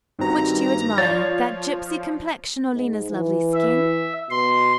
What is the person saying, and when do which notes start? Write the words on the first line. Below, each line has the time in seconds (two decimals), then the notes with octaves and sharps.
Which do you admire--that gypsy complexion, or Lena's lovely skin?
0.19 G2 D#3 C4 F#4 A#5
0.98 F3 C#5 D5 F5 G6 A6
2.74 G#2
3.11 E3
3.54 E5
4.30 B2 C6